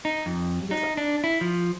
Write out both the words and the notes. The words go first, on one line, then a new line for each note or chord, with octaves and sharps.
he goes, uh
D#4
F2
D#4
D4
E4
F3